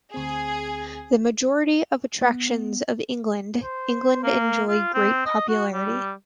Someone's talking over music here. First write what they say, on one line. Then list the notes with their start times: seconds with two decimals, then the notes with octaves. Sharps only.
The majority of attractions of England, England enjoy great popularity.
0.14 D2 C4 G#4
2.21 B3
3.62 C5
4.23 A#3
4.68 F4
4.94 C4
5.26 D#5
5.48 F#4
5.73 G3